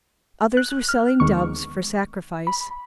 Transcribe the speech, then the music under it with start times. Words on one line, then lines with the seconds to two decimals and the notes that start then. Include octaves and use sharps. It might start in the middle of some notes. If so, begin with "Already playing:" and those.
Others were selling doves for sacrifice.
0.57 F#6
0.89 F6
1.20 D#2 D#3 G#3 B3 C#6
2.47 B5